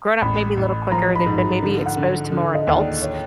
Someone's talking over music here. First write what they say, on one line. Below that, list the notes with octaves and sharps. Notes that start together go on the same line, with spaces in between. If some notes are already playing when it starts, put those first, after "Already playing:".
grown up maybe a little quicker, they've been maybe exposed to more adults
A1 B5
A1
F3 A#5
B5
G#2
B5
D3
F#5
D3
D3
D#5
D#2
D5
C#5